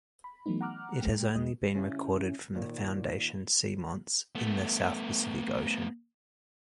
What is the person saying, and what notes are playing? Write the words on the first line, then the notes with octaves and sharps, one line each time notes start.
It has only been recorded from the Foundation Seamounts in the South Pacific Ocean.
B5
E3 F#3 A3 B3 D#4
F#5 A#5 D6 F6 F#6
G#3 A3 G5
E2 G#3 D#5 D#6
C#3 G3 C#4 E4
D#2 A#2 D#3 D5
A3 B3